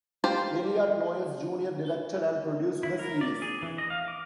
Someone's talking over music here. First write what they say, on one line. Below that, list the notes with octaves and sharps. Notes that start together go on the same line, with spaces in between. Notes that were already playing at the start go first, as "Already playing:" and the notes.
Eliot Noyes Junior directed and produced the series.
F4 G4 C5
E4
A#4
D5
G#4
E3
D#5
F5
D6